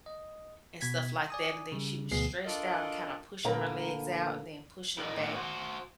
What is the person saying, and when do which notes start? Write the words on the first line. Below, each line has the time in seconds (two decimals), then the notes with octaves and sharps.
and stuff like that, and then she was stretched out and, kinda pushing her legs out and then pushing 'em back
0.06 D#5
0.81 B2 G#6 B6
1.30 D5 G#5 D#6
1.72 C#3 G3
2.11 D2 B2 F3 B3 G#4 C7
2.46 D4 F4 A4 A#4 D#5
3.44 A#2 D3 A3 A#4 B4 A#5
4.98 E4 A4 A#4 D5 D#5
5.17 A2 D3 C4 D#4
5.35 F#4 B4 C5